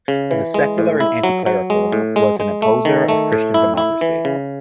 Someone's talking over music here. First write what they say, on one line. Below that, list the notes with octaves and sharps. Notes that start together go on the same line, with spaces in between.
As a secular and anti-clerical, was an opposer of Christian Democracy.
C#3
E3
G#3
A2
E4
F#3
F#3
G#3
A2
G#3
G#3
A3
D#3
A3
A2
E4
E4
E3
C#3